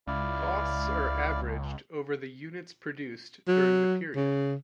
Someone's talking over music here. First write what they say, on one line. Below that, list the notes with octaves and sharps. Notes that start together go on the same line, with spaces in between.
Costs are averaged over the units produced during the period.
C#2 E4 D5 F5
F#3
C#3